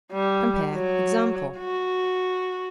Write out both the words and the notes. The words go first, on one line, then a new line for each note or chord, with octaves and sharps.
Compare EXAMPLE.
G3
F#3
F#4